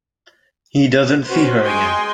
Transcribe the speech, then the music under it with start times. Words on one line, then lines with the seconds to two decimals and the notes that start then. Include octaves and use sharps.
He doesn't see her again.
1.27 C#4 F#4 B4 C5
1.63 G#3 D#5 G5 G#5 C6